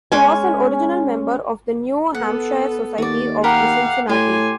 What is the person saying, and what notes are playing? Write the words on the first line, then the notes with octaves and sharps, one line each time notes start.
He was an original member of the New Hampshire Society of the Cincinnati.
G#3 C#4 G#5
B3 A4 F#5
D#2 F#4 D5
G4 A#4 F5 F#5 B5
A2 G4 G#5 C6